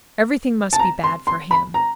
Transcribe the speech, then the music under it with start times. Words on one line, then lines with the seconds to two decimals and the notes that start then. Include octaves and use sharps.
Everything must be bad for him.
0.73 A5
0.79 A#5
1.04 C6
1.27 C6
1.51 B5
1.74 A#5